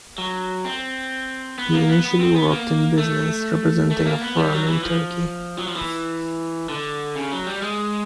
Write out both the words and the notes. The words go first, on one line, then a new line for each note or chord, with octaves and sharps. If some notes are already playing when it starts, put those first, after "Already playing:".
He initially worked in business, representing a firm in Turkey.
F#3
C4
B3
A#3
B3
B3
C4
B3
A#3
A3
A3
A#3
B3
G3
F#3
E3
F3
F#3
F3
E3
D3
C#3
F#3
G3
G#3